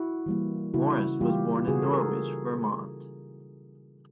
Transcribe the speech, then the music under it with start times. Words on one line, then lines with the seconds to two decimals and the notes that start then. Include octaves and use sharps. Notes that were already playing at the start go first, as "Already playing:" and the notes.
Morris was born in Norwich, Vermont.
Already playing: E4 F#4
0.26 E3 G3 A#3
0.74 C#3 E4 F#4
1.20 E3 G3 A#3 F4 G4
1.68 C#3 F#4 G#4
1.82 A4
1.91 G#4 A#4